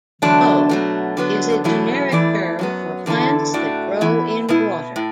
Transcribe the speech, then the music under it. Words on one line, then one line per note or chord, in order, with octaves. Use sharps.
"Mo" is a generic term for plants that grow in water.
E2 D3 F#3 A3 D4
B2 F#3 A3
D3 F#3 B3
E2 B2 F#3 A3 E4
E2 E3 A3 E4 D5
F#2 F#3 B3
E2 D3 B3 E4 A4
A2 A3 F#4 D5
E3 B3 E4
B2 B3 E4
A2